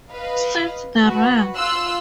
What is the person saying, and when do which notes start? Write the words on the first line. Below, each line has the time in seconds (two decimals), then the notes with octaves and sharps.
Since the Rev.
0.11 B4 D#5 F5
1.04 F#4 B4
1.56 F4 C6 E6 F#6